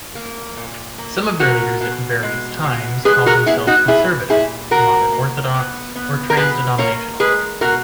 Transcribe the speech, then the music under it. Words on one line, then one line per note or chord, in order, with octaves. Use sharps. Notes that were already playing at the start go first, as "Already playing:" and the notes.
Some of their leaders at various times called themselves Conservative, Modern Orthodox or trans-denominational.
A#3
A#2
A#3
B2 F#4 A#4
B2
G#3
B2
G#3 G#4 B4
F#4 A#4
B3 E4 G#4
D#4 F#4
A#2 E4 G#4
A#2 E4 G#4
B2 F#4 A#4
A#3
B3
B3
A#4
B2 G#4 B4
A#3 A#4 C#5
G#3 G#4 B4
B2 F#4 A#4